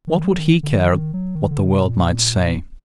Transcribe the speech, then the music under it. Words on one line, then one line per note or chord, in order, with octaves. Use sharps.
What would he care what the world might say?
D#3
F#3
D#3
D3
D#3
D#3
F#3
D#3
D3
C3
A#2